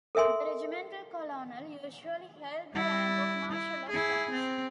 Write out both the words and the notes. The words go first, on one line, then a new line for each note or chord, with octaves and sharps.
The regimental colonel usually held the rank of Marshal of France.
A4 A#4 E5 G#5 C6
G3 E4
E4
E4 G#4
C4